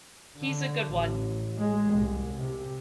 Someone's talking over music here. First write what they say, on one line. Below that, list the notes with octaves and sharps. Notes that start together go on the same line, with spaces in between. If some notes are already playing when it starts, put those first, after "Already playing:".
He's a good one.
D3
A1
G#3
C2
C3